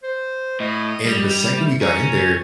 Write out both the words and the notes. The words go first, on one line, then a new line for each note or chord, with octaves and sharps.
And the second we got in there,
C5
A2 D#5
G3
A3
C#4 A#5